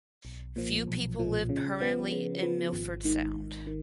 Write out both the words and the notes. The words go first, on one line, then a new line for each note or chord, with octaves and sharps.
Few people live permanently in Milford Sound.
B1
A#2 F3
B1
A#2 F3
C#3
F3 B3
C#3
F3 B3
G#1
G#2 D#3
G#1
D#3